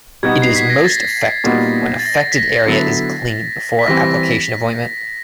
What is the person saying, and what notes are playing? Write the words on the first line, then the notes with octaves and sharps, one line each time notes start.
It is most effective when affected area is cleaned before application of ointment.
B2 G3 B3 D#4 F#4 G#6
C7
B6
A#6
A6
A#2 G3 B3 D#4 F#4
A6
A#6
B6
A#6
D3 F#3 B3 E4
B6
E3 G3 C4 A#6